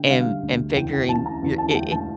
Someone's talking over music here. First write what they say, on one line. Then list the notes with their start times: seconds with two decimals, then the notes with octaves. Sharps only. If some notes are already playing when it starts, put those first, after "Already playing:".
and and figuring your i i
Already playing: D3 G5
0.10 G3 F5
0.43 D2
0.76 E2 G5
0.93 G5
1.09 E2 A5
1.26 A#5
1.42 E2
1.58 A5
1.71 A5
1.75 E2 G5
1.92 A5